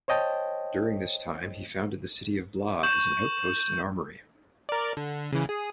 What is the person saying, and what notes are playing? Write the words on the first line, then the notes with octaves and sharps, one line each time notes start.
During this time he founded the city of Bla as an outpost and armory.
C5 C#5 D#5 G5 A5
C#6 G6 E7 F#7
A#4 D5
D3
C#3 E3
G#4